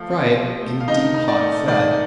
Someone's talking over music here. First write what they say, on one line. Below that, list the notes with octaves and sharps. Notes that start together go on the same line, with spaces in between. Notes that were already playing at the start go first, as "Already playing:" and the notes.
Fry in deep hot fat.
Already playing: F3 A3 F5
C4
C3
A3
F5
D#3 D#4 D#5
D#4
D5
A3
D#3 D5